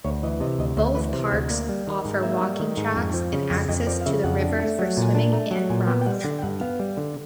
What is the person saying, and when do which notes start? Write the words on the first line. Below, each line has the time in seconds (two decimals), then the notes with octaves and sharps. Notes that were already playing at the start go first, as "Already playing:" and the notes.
Both parks offer walking tracks, and access to the river for swimming and rafting.
0.04 D2 C#5
0.23 E3 D#5
0.40 C3 D#5
0.59 D2 D#5
0.77 D2 C5
0.95 E3 B4
1.13 C3 C5
1.31 D2 C5
1.50 A#3 D5
1.69 G3
1.87 D#3 D#5
2.05 G#2
2.23 A#3 E5
2.42 G3
2.60 D#3
2.77 G#2
2.96 F2
3.14 F3
3.33 C#3
3.50 F2
3.68 F2 D#5
3.87 F3 D5
4.01 F5
4.06 C#3 E5
4.24 F2 F#5
4.41 D4
4.60 A3
4.79 F#3
4.97 A#2
5.03 G#5
5.15 D4 A5
5.32 A3 A#5
5.51 F#3 A5
5.70 A#2 G#5
5.87 B3 G5
6.01 G5
6.06 G3 F#5
6.24 D3 F#5
6.39 G5
6.42 G2 F#5
6.61 B3 F5
6.79 G3
6.97 D3